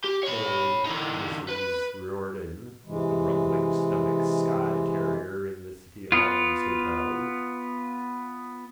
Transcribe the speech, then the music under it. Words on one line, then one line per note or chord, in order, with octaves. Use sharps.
Old Mrs Riordan with the rumbling stomach's Skye terrier in the City Arms hotel.
G4
C#5 B5
D3 D#4
B4
C3 E3 G#3
B3 F4